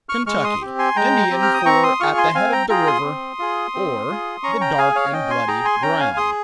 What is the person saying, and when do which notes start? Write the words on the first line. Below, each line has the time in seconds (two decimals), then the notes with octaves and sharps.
Kentucky--Indian for "at the head of the river," or "the dark and bloody ground."
0.09 C#6 F6
0.27 G#3 C#6 F6
0.44 C6 D#6
0.61 C4 G4
0.78 G#5 C6
0.96 G#3 G5 A#5
1.31 C4 G4
1.42 F6
1.54 D#6
1.65 C4 A#5 C#6
1.83 C6 D#6
2.00 F4 G#4 C#6 F6
2.18 G#5 C6
2.35 C4 F5 G#5
2.52 G5 A#5
2.70 F4 G#4 G5 A#5
2.87 C6 D#6
3.05 C4
3.39 F4 G#4
3.75 C4
4.09 F4 G#4
4.43 C#4 A#5 C#6
4.61 G5 A#5
4.78 G#4 F5 G#5
4.96 C#5 F5
5.13 C#4 D#5 G5
5.30 G#5 C6
5.48 G#4 G5 A#5
5.65 G#5 C6
5.82 C#4 G5 A#5
6.00 F5 G#5
6.17 G#4 C6 D#6